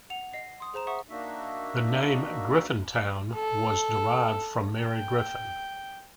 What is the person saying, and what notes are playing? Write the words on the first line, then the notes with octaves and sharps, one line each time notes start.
The name "Griffintown" was derived from Mary Griffin.
F#5 F7
D#5 C7
C6 D#6
G#4 C5 A#5 E7
E5 F#5 C#6 D#6
A#3 D4 D#4 F#4 E5
A4
G5